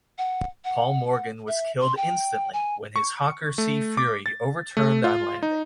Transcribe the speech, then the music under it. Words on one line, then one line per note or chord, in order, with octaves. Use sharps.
Paul Morgan was killed instantly when his Hawker Sea Fury over-turned on landing.
F#5
F#5
E5
C6
G5
G#5
C#6
A3
D6
A6
A3
F4
D#4